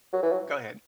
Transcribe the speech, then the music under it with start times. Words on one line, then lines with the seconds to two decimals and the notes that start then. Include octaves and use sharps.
Go head.
0.13 F#3
0.23 E3
0.32 F#3